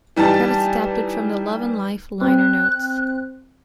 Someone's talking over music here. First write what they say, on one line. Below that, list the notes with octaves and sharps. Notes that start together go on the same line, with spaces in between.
Credits adapted from the "Love and Life" liner notes.
E3 G3 D#4 A5 A6
C4 F#6